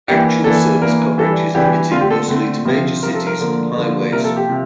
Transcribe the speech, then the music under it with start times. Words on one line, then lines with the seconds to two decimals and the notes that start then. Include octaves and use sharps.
Actual service coverage is limited mostly to major cities and highways.
0.08 E3 A#3 D4 G4
0.44 E3 A#3 D4 A4
0.82 E3 A#3 D4 A#4
1.18 E3 G3 D4 A4
1.55 E3 G3 D4 G4
1.92 D3 A3 C4 F4
2.01 G4
2.10 A4
2.28 D3 A3 C4
2.65 C3 F3 C4
3.02 C3 F3 C4 A#4
3.14 A4
3.27 A#4
3.39 D3 F3 A#3 D4
3.76 D3 F3 A#3 D4
4.12 C3 F3 A#3 A#4
4.24 A4
4.36 G4
4.49 C3 F3